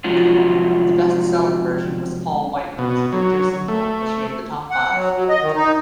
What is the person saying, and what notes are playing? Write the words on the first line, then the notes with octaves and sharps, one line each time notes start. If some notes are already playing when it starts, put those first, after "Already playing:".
The best-selling version was Paul Whiteman's Victor single, which made the top five.
C3 F3 F#3 G#3 F4 F#4
B2
F#3
A3
F#5
F#3
F#3
D#5
D#3
D#4